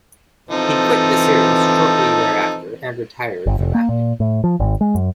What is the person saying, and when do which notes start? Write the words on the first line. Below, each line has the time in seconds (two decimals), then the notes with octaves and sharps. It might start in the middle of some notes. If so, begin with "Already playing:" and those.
He quit the series shortly thereafter and retired from acting.
0.51 E3 F3 C4 D#4 A4
3.46 G1
3.59 F1
3.75 A#3
3.89 A#2
4.20 A2
4.44 F3
4.60 G#1
4.81 G#3
4.95 F#2